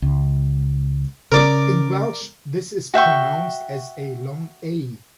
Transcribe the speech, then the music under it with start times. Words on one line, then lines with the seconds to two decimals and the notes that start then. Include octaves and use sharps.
In Welsh this is pronounced as a long A.
0.02 C#2
1.32 C#3 A#4 D5 D6
2.94 F#4 E5 G5 C#6